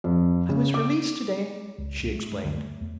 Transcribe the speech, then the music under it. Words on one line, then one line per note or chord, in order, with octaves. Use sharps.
"I was released to-day," she explained.
F2
C#3
D6
C#2
C2
A3
G#3
D2
A3
E2